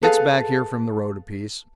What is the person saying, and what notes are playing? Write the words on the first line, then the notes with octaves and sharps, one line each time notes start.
It's back here from the road a piece.
G#4 A4 B4 F5